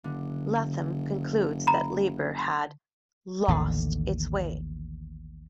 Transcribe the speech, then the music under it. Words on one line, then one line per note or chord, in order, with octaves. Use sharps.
Latham concludes that Labor had "lost its way".
F#1 D3
A#5 B5
A1 D#2 D3